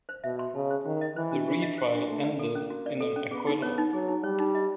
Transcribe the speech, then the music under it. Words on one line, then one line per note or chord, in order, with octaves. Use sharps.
The retrial ended in an acquittal.
C5
B2 E5
C6
C#3 A5
C5
D#3 G4
D#5
E3 C5
D4
E3 G4
D#5
C5
D4
A3 F#4
D5
A#3 A4
C#4
F#4
D5
A4
C#4
B3 G#4
D#4
B3 C#5
D#4
F#3 G#4
D#4
G3 C#5
D#4
D#5